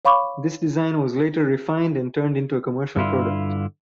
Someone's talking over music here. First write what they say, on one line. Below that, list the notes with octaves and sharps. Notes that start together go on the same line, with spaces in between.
This design was later refined and turned into a commercial product.
C#5 F5 B5 C#6 D6
G2 D3 E4 F4